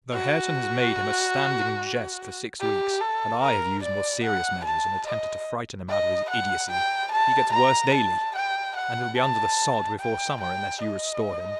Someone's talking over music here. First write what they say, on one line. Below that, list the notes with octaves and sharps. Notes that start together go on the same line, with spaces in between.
Though Hareton has made him a standing jest for six weeks, and I have used more serious measures, and attempted to frighten him out of his idiotcy, he gets worse daily; and he'll be under the sod before summer, unless you restore him!'
F#4
G4
A4
A#4
D5
F#5
A5
D#5
D#5
F#5
G5
A5
A#5
A5
G5
F#5
A5
G5
G5
D#5